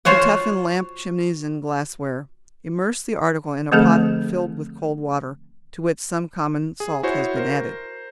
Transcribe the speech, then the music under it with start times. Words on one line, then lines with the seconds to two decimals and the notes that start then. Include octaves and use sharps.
To Toughen Lamp Chimneys and Glassware.--Immerse the article in a pot filled with cold water, to which some common salt has been added.
0.05 F4 F#4 C5 C#5 F#5
3.72 D3 F3 A3 C4 G#4 A4
6.80 G#4
7.03 E4 F#4 C5 C#5
7.36 A#4 C5